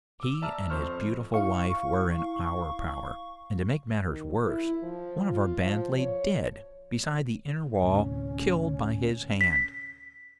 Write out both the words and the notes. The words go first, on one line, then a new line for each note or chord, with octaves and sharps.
He and his beautiful wife were in our power, and, to make matters worse, one of our band lay dead, beside the inner wall, killed by his hand.
D6 E6
D5 E5 A5 A#5 E6 F6
F2 C5 C#6 F6
E4 F5 C#6
D#3
E4
F3
F4
F3
C#5
D2 A2 C3 C#4
B6